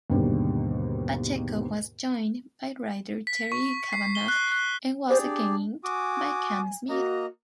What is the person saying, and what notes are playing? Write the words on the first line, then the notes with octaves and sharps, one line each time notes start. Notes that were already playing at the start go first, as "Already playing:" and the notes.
Pacheco was joined by writer Terry Kavanagh and was again inked by Cam Smith.
D#2 G#2 B2 D3 G3 A#3
B6
C#6
C7
G7
F#6
F#6
G4 G#4 C5 D5
D4
F#4 G#5 D6 D#6
A#3 F#4 D#5 A#5